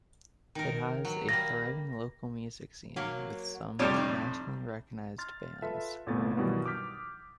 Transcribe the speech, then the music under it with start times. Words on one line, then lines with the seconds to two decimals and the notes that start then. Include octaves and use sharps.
It has a thriving local music scene with some nationally recognized bands.
0.55 D#3 A#4
1.05 F#3
1.29 G3 A#3 A#6
2.96 F#3 A#3
3.79 F2 C3 G3 F4 C#5 D5
3.94 A2 D#4
5.18 C6 F6 A6
5.62 F4 A4 B4 E5
6.06 G1 C2 A#2 A3 B3 A6
6.37 G2 B2 D#3 E3 F#3 G3
6.66 D6 D#6 F6 G6 B6